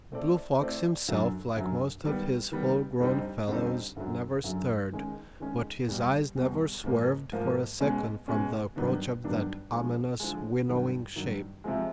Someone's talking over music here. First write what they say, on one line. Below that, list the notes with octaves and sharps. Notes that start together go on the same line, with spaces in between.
Blue Fox himself, like most of his full-grown fellows, never stirred. But his eyes never swerved for a second from the approach of that ominous, winnowing shape.
A3 C4 E4 A4 D5
A3 C4 E4 A4 D5
F#2 D3 F#3
F#2 D3 F#3
D#3 G3 B3
D#3 G3 B3
F2 D3 G3 C4 D#4
F2 D3 G3 C4 D#4
F#2 D3 F#3
F#2 D3 F#3
D#3 G#3 C#4
D#3 G#3 C#4
E2 B2 G3
E2 B2 G3
G#2 F3 A#3
G#2 F3 A#3
B2 G#3 C#4
B2 G#3 C#4
G2 D#3 F#3 B3 D4
G2 D#3 F#3 B3 D4
D3 F3 G#3
D3 F3 G#3
G2 D#3 F#3
G2 D#3 F#3
C3 F3 G#3